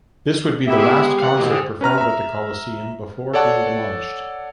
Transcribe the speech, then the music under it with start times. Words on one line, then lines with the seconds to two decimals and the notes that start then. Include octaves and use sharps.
This would be the last concert performed at the Coliseum before being demolished.
0.67 A#3 B3 E4 G4 E5
0.80 G#3
1.20 E3 A#3 F5 F#5
1.38 G#2 B2 E3 A#3 C4
1.50 D3 G4 G#4
1.81 C#4 B4 A#5 F6
1.98 E5 A#5
3.33 A4 C#5 D5 F#5 A5